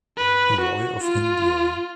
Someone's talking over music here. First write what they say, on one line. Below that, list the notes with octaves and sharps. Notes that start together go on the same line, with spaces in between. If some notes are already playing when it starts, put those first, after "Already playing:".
Roy of India.
B4
F#4
F4